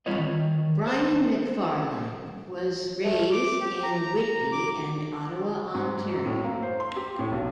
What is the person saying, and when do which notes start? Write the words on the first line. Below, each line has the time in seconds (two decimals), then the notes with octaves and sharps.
Brian McFarlane was raised in Whitby and Ottawa Ontario.
0.06 G3 C4 F4 B4 C#5 D#5
0.19 D#3
0.87 C5
3.04 A3
3.31 D6
3.60 G4
3.83 A#5
4.52 D6
5.75 G#2
6.09 F#2
6.26 A2
6.44 A#3
6.63 C5
6.80 C6
6.96 G4
7.19 A2
7.32 B1